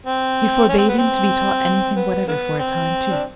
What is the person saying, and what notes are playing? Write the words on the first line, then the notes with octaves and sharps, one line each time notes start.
He forbade him to be taught anything whatever for a time, too.
C4
C#4
C4
B3
C4
B3
D3 B3
C4
D4